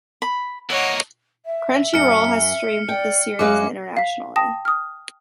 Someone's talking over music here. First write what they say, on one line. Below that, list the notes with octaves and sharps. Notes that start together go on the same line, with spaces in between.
Crunchyroll has streamed the series internationally.
B5
E3 A#3 C#5 D#5 F#5
E5
F#2 F6 C#7
D5 G5
F#2 G#3 F5 D6 F#6
F5 B6
G5 A5 D#6 A#6 E7
D#6 F6